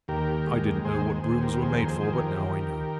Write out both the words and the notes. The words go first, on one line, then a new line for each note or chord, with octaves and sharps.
I didn't know what broughams were made for, but now I know.
D#2 G4 A#4
G#3
D#2 G#4 C5
D#2 G#4 C5
C5
G4 A#4
F2 G#4 C5
A#4
G#4 C5
D#3 G#4
G4 A#4
D#3